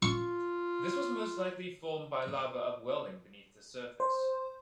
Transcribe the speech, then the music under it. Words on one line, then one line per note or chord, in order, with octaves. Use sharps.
This was most likely formed by lava upwelling beneath the surface.
F4 C#6
C5